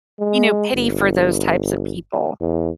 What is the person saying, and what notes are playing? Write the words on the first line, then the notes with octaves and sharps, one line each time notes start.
you know, pity for those types of people
G#3
G1
E2